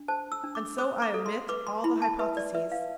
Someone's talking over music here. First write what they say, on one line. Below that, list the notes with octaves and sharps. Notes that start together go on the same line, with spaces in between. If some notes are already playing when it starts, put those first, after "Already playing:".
And so I omit all the hypotheses.
Already playing: D4
C5 A5
E6
D4
D6
C5 D6
D6
A4
C6
B4 D6
C6
E4 B5
A5
B4 E5
D5
B4 E5
F5